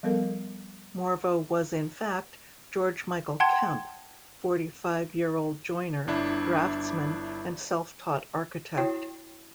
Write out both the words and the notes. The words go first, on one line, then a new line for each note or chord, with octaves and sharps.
Morvo was in fact George Meikle Kemp, forty-five-year-old joiner, draftsman, and self-taught architect.
F3 G3 B3 A4 A#4
F#5 G5 A5 C6 G#6
G1 D4 E4
E4 F#4 C#5 G5